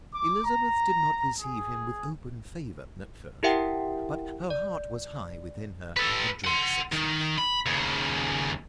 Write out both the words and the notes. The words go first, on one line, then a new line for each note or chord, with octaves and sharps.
Elizabeth did not receive him with open favor at first; but her heart was high within her at Drake's success.
D6
A#5
G#4
E4 G4 A#4 E5 F#5 G5
D5
A4 B4
F#5 C6
D#3
B5
D#2 C#3